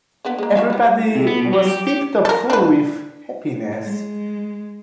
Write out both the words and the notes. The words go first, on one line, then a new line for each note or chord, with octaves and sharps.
Everybody was tip-top full with happiness.
D3 A#3 B3
G#3 A#3
F#3 E5 F5
E3 G3
C3
B3
B2
F#3
G4
G4
A4 A#4
D4 B4
G#3